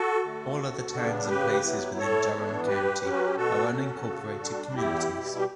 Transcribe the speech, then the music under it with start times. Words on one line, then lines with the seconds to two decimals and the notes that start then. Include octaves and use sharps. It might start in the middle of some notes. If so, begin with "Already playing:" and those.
All other towns and places within Durham County are unincorporated communities.
Already playing: F#4 A4
0.25 D3 A3
0.59 D2
0.95 C#3 G3 B3 D4
1.28 C#3 G4 B4
1.63 F#3 B3 E4
1.98 A2 A4 C#5
2.33 E3 B3 D4
2.67 G2 G4 B4
3.01 F#3 C#4
3.13 F#4
3.24 G4
3.36 B2 F#4 A4
3.71 F#3 C#4
4.06 C#3
4.40 G3 D4
4.75 E2 E4 G4
5.10 B2 G3
5.38 G4